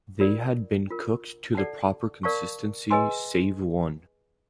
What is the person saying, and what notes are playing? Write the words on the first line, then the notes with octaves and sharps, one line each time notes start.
They had been cooked to the proper consistency save one.
F4 A#4 D5
D4 F4 A#4
A4 D5 F#5 A5
A#4 D5 F5 A5 C#6
G#4 B4 D#5 G#5 C6